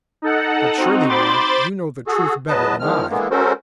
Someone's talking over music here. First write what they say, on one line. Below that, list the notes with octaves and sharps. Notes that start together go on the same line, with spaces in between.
"But surely, ma'am, you know the truth better than I?"
D#4 A4 F#5
C4 D#4 F#4
C5 B5 C6 D6 A6
F#4 G#4 A4
E2 F#3 B4 D#5 A5
E2 D#3 F3 G#3 F6
D3 E3 G#3 A#3 B3
G#3 C#4 F#4 A4 A#4 C5